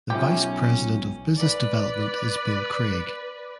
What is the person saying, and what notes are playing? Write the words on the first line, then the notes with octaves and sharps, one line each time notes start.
The vice president of business development is Bill Craig.
B1 C#4 F4 G4 E5
B4 D5